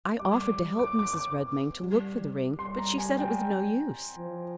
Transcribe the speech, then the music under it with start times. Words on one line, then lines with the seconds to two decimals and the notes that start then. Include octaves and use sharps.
I offered to help Mrs. Redmain to look for the ring, but she said it was no use.
0.19 G3 D6
0.41 D6
0.79 D6
0.99 D6
1.13 D6
1.79 G3
2.58 G3 C6
2.79 A#5
2.98 G#5
3.19 G5
4.18 F3